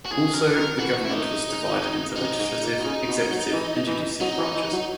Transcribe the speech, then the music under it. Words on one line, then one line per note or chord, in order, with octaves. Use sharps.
Also, the government was divided into legislative, executive and judicial branches.
F#4
E2 G#4
F#2 A#4
D#3 A#4
E3 F#4
E4
D#3 D#4
C#3
G#2
F#2 D#4
G#2
A#2
B2
C#3
B2
F#3
E3
E3
F#3 D#4
E3
E3
F#3